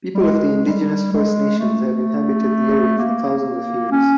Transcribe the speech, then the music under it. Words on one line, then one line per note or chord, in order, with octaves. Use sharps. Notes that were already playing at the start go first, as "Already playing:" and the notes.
People of the indigenous First Nations have inhabited the area for thousands of years.
G3
G#3
G3
G#3
A3
A#3
C#4